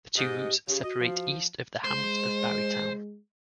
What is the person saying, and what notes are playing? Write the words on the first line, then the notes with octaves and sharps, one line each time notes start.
The two routes separate east of the hamlet of Barrytown.
G#2 G4 D#5
C#3 G4
F#4 D#5
F3
G#3 C5